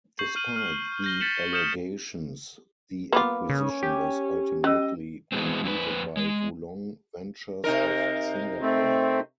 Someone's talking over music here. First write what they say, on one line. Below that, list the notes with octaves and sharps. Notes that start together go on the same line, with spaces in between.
Despite the allegations the acquisition was ultimately completed by WoLong Ventures of Singapore.
C#6 G6 C7 F#7
F6 D#7 F#7
F6
G6 A#6 G7
G6 A6 B6 C#7 E7 F#7
D#6 F6 G6 C#7 E7
A#3 B3 F4 B4 B5 D6
C#3 C#4
G4
G3 C#4 D#5 E6
E3 G#3 B3 C4
F2 C4 F#4 B4
G#3
C3 D#4 A#4
A3 C4